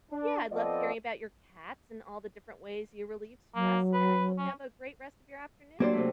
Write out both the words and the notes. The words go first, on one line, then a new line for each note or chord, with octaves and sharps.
Yeah, I loved hearing about your cats and all the different ways you relieve stress, and I hope you have a great rest of your afternoon.
D4
F3 B3 C4 A4 D5 D#5
F#3 A#3
B4
C#4
F#3 A#3 D4 G4 C5 D5
C3 A3